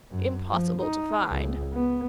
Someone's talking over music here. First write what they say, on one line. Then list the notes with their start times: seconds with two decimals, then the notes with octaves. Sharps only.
"Impossible to find."
0.11 F#2
0.49 F3
0.82 D#4
1.28 C#2
1.73 B3